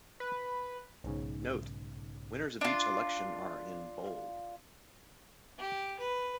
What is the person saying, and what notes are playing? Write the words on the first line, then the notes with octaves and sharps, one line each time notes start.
"Note: Winners of each election are in" bold.
B4
B1 G#2 C#3
D4 F4
G4
B4